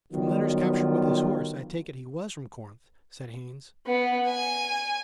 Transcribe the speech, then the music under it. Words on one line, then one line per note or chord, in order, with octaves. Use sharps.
"From letters captured with his horse, I take it he was from Corinth," said Haines.
D#3 F#3 G3 B3 F4
B3
G#5